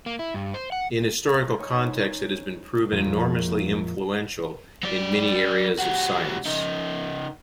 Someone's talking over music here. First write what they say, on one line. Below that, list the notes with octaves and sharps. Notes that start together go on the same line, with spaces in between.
In historical context, it has proven enormously influential in many areas of science.
A#3
E4
G2
C5
F#5
D#4 C5 C#5 G#5
A1 F2 A#2 F3 G#3
F#3 D5
G3 F#4
C#3 D#4